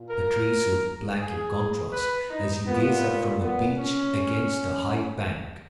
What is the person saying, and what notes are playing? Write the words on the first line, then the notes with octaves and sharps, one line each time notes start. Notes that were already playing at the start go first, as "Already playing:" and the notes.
The trees look black in contrast as you gaze up from the beach against the high bank.
Already playing: A#2
A#4
G#4
B4
D#4
A#2 B3
B3
C#4